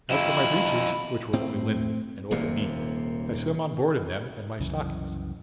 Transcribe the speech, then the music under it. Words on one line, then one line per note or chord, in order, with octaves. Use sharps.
As for my breeches, which were only linen, and open-kneed, I swam on board in them and my stockings.
F2 E4
A2 C4
D#1 D#2 C3 A#3
C2 F#2 C#3 E3